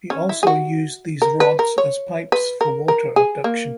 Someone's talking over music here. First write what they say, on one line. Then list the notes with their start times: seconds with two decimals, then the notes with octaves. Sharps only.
We also use these rods as pipes for water abduction.
0.10 C#4
0.29 E4
0.43 G#4
0.47 F#4
1.22 A#4
1.40 B4
1.59 A#4
1.78 C#5
2.32 B4
2.61 A#4
2.88 A#4
3.16 G#4
3.44 A#3